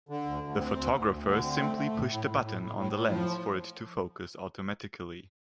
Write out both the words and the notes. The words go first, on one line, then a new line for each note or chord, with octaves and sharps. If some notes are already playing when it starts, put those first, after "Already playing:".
The photographer simply pushed a button on the lens for it to focus automatically.
D3
D2
D2
C4
D2
D2
D2
D3
C4
A3
A3
A2
A2
A2
A2
A2
A2
A2
F3